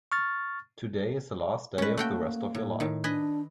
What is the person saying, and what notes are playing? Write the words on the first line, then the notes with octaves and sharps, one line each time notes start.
Today is the last day of the rest of your life.
C#6 F6 A6
G#3 C#4 B4
A3 A#3 F#4 G5
A2
A2 D#3
D4 B4 D#5 G#5